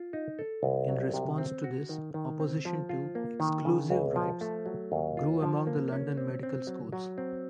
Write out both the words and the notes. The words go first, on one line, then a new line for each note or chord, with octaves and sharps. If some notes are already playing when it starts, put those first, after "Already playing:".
In response to this, opposition to "exclusive" rights grew among the London medical schools.
Already playing: F4
D#4
A4
C2
F#3
C3
C4
F#4
D#3
D#3
C4
F3
F4
A#3
D#3
C#3
C#2
F3
A3
F#3
D#2
F4
F3
A#3
C#4
C4
C4
F#3
F#3
C4